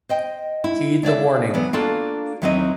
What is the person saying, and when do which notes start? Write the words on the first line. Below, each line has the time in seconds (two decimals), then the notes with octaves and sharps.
Heed the warning.
0.09 C5 D#5 G5
0.64 E4
1.03 D4 C#5 D5 E5
1.54 E3 F#3 B3
1.73 A#3 D4 F4 F#4 A4
2.42 D#2 E3 F#3 C4 D#4 D#5